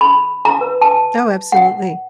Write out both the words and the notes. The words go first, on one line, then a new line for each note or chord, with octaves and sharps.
Oh, absolutely.
B5
A#5
B4
A5
F#5